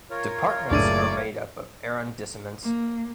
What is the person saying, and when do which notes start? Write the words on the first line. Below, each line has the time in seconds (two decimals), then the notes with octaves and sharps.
Departments are made up of Arrondissements.
0.11 F4 A#4 C#5
0.70 F#1 A2 D5 D#7
2.62 A#3